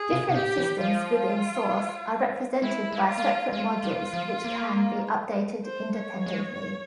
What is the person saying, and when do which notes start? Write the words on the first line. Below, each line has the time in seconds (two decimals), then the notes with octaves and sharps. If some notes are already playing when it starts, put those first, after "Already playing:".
Different systems within Source are represented by separate modules which can be updated independently.
Already playing: G#4
0.13 C3
0.29 C3
0.35 A#2 G4
0.58 E3
0.80 F3 F4
2.62 G#3 E4
2.92 G#3
3.08 F4
3.18 A#3
3.22 G#3
3.52 G#3 F4
3.84 G3
4.14 F3
4.44 A#3
5.65 C5
5.96 C#5
6.26 G#3